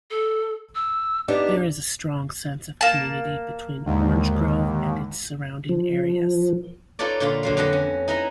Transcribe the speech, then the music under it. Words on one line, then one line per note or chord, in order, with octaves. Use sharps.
There is a strong sense of community between Orange Grove and its surrounding areas.
A4
E6
B3 D4 D#4 G4
A#3 A5
D#2 G#2 D3
F3
D#4 F4 A4 B4 C#5 D5
A#2 D3 F4 F5 B5
D3 F#3 F5
F2 D3 D4 B4 D#5 F#5
C#4
D#4 E4 B4 D#5 A#5